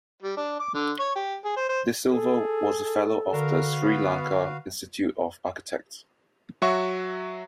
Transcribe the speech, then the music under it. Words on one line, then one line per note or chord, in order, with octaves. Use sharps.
De Silva was a fellow of the Sri Lanka Institute of Architects.
G3
D4
D6
D3
C#5
G4
G#4
C5
C5
G#4 A4
D3 F#4 A#4 B4 F5
B3
F#3 F#4 E5 C#6